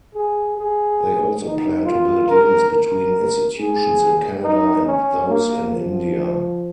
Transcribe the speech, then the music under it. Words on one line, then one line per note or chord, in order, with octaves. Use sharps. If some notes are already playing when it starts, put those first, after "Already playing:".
They also plan to build links between institutions in Canada and those in India.
G#4
G#4
D#4
F4
A#4
A#4
G#4
D#4
C#4
A#3
F3